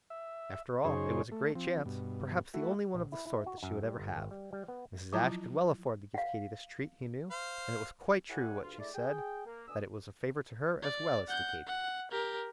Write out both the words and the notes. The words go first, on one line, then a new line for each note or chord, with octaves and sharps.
After all, it was a great chance,--perhaps the only one of the sort that she would ever have. Mrs. Ashe could well afford to give Katy this treat, he knew; and it was quite true what she said, that it was a favor to her as well as to Katy.
E5
F#2 C#3 D#4 G#4 C5 C#5
A3
F3 C4
G2 B2
A3 E4 F#4
A#1
E4
E4
F#4
F#2
G3
G1
G#1
G3
G3
B3
F3 F#3 E4 F4 A5 A#5
F5 F#5
C5 F5
E4 G4 A4 C#5 F#5 G#5
D2 G2 F4
G#3 A3 D4 E4 D5
G#4 G5
A#3
D2 B2 D3 G#5 D#6 E6
D5
F#5 G6
F#5
G4 A#4